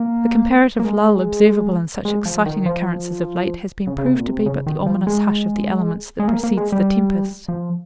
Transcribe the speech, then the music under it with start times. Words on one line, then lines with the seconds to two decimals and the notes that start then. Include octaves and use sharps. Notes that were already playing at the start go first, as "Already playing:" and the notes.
The comparative lull observable in such exciting occurrences of late has been proved to be but the ominous hush of the elements that precedes the tempest.
Already playing: A#3
0.79 A#3
0.85 G#3
2.05 G#3
2.26 F3
2.46 D#3
2.66 F3
3.87 C#3
3.98 C#3
4.07 C3
4.17 A#2
4.27 C3
4.46 C#3
4.67 D#3
4.86 F3
5.07 G#3
6.19 G#3
6.28 A#3
6.43 A#3
6.57 G#3
6.72 G3
7.48 F3